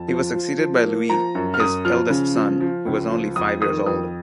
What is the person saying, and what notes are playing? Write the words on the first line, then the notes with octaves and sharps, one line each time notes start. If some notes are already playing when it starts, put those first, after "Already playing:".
He was succeeded by Louis, his eldest son, who was only five years old.
Already playing: F2 A5
F3
F3
F3
A#3
F3 A#5
F#2
F6
F#2 D#6
F3 F6
C#3
F3
F3
C#2
F3
F2 D#6
D#3 D#6
F2 D#6